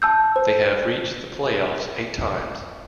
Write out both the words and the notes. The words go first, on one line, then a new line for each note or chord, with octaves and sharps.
They have reached the playoffs eight times.
A5 E6 G6
C5